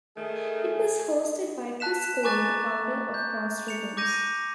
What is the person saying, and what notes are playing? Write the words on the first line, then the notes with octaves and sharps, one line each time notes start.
It was hosted by Chris Cole, the founder of Cross Rhythms.
D#3 A3 G#4 A4
A5 F#6 B6 E7
G#5 A#5 C#6 D6 F#6 A6
G6
C#7 F7
D6 G6 A#6 D#7